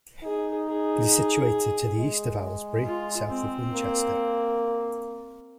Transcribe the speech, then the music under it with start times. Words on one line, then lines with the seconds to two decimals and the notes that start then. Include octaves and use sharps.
It is situated to the east of Owslebury, south of Winchester.
0.24 D#4 G#4
0.68 G#4
1.98 G#3
2.85 F4
3.29 C4
3.73 A#3